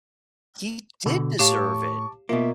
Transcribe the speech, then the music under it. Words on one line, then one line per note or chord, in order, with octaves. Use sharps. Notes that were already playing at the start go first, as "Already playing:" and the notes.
He did deserve it.
B2 D3
A2 G4 F5 A5 C#6 D6
B2 A#3 F4 E5